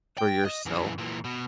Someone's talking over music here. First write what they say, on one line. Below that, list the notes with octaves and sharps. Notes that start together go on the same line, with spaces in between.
for yourself,
G5
D#5
F#2 E3
A#2 E3
B2